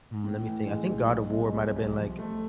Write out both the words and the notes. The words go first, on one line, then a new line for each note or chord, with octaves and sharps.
mm, lemme think I think God of War might have been, like
A2
E3
G#3
B1
B2
G#3
C2
C2
F3
A3